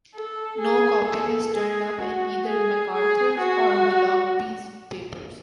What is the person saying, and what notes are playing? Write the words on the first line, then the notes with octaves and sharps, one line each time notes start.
No copy has turned up in either MacArthur's or Willoughby's papers.
A4
G#4
A4
G#4
F#4
G#4
G#4
F#4